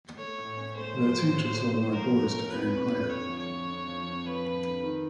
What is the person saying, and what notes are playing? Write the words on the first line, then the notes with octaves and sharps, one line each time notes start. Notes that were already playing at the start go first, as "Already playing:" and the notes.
Their teacher told my boys to aim higher.
A3 C#5
A2
C#4
A3 C5
F3
A2
A2
A3
A2
F3 A#4
A3
C#4
F2 B4
F2
F2
D3 C#5
F3
C#5
F3
F2
F3
F2
F3 B4
F3
D3
D#3